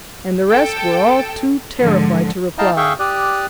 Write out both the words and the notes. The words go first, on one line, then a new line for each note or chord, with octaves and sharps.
And the rest were all too terrified to reply.
A4 G5
G#2 D3 F3
E4 D#5 F5 G5 A5 A#5
G#4 E5 F5 G5 C#6
G4 D5 D#6 F#6